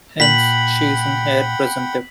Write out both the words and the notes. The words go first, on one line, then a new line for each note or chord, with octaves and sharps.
Hence, she is an heir presumptive.
A#2 F#5 G5 B5 B6 F#7